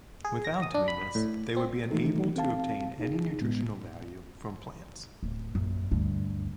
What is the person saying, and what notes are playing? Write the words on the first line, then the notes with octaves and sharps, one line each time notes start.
Without doing this they would be unable to obtain any nutritional value from plants.
G#4
A#6
D#6
D4
B5
A2
C4
D#3 E3 A3 D#4 A4
C4 A4 F5 A5
D#4 G#4
A2 G#3 B3
D1
A#1 F#2
D2 G2